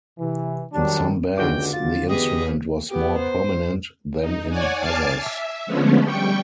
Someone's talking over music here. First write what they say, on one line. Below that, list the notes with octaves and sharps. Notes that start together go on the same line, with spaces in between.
In some bands, the instrument was more prominent, than in others.
C3 E3
D#3 F#3 G3 D4
C#2 D3 F#4 G5 D6
F4 A6
E2 G4 G#4 B4 D#5
B3 G4
C5
D#4
C#5 D5 F#5 G#5
G#5 A5 D6 F6 A6 C7
E5
D3 F3 G#3 A3 B3 C#4
G3 G5 C#6